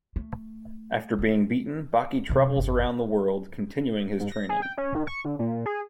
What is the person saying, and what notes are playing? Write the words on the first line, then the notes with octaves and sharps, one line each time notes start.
After being beaten, Baki travels around the world continuing his training.
A3
D#3 C4
F#2 C3
G1 F2
G#2
A#6
G#4
G5
C#4
D#3
C#6
D3
A#2
G#4